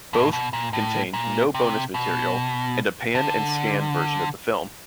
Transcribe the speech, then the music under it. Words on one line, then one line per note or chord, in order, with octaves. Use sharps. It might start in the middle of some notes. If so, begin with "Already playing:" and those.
Both contained no bonus material and a pan and scan version of the film.
A2
B2
A#2
A2
A#2
C3
B2
D3